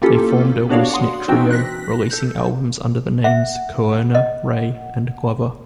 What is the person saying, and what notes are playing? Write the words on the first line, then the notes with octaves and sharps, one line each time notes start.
They formed a loose-knit trio, releasing albums under the name Koerner, Ray and Glover.
A#3 C#4 E4 F4 G4 A4
B3 D4 F#4 C#5 D5 F5
F#5 C6 D#6
E3 C4 D4 D#4 F#4 G5
F#6 A#6 B6
A4 G6
E5 F#5
D#5